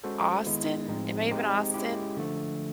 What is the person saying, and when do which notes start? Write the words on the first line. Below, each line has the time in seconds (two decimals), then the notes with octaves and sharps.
Austin, it may have been Austin
0.04 G#3 C#4 F#4 A4 C5
0.46 D#3 G#3 B3 E4
0.88 A2 F3 G#3 C4 D#4
1.31 G#3 C4 D#4 G4
1.74 G#3 C#4 E4 G4
2.17 D3 F3 A3